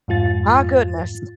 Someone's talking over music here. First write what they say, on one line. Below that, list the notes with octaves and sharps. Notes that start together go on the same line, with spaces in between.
Ah, goodness.
F2 G#2 F4 A6